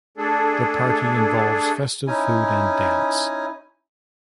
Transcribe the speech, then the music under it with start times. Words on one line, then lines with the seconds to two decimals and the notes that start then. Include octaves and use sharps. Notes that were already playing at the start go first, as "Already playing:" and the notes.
The party involves festive food and dance.
0.17 A3 D4 G#4 A4
2.07 C#4 D#4 E4 G#5